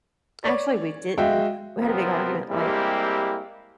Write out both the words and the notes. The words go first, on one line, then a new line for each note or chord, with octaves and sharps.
Actually, we didn't. We had a big argument, like,
C#5 D5
G#3 F#4 E5 F5 G5
F#2 C3 F3 B3 C4 A#4
G3 G#3 A#3 C4 E4 G4